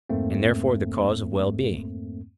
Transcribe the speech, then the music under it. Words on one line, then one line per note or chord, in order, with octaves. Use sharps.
And therefore the cause of well-being?
F2 G#2 A3 A#3 C4